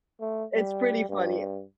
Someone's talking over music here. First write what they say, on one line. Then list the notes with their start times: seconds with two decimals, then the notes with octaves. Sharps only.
It's pretty funny
0.21 A3
0.55 G3
1.09 G2